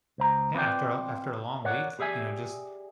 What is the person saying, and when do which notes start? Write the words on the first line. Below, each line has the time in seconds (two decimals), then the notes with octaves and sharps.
Yeah, after a after a long week, you know, just,
0.18 C#2 C5 A#5
0.54 B3 C4 F4 B4 D5 G5
1.64 A#4 C#5 D5 F#5
1.99 G4 G#4 D5 E5 G#5